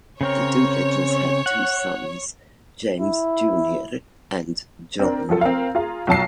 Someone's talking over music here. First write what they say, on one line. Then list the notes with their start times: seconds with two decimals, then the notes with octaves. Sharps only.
The Doolittles had two sons, James Junior and John.
0.21 C#3 C4 A#4 C#5
1.46 F#5
3.00 E4
5.00 C4 D4 A#4
5.29 F3 F#3 F4 A4
5.41 C4 A#4 F5
5.75 F4 G#4 F5 A#5
6.07 B1 F#3 A5 C7